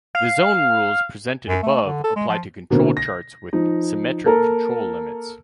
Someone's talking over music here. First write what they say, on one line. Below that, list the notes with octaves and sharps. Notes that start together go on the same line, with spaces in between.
The zone rules presented above apply to control charts with symmetric control limits.
F5
F#2
A3
D3
A4
G#3
F3
B2 D3 A#3 C4
A#6
F3 D#4
A#3 A4 A#4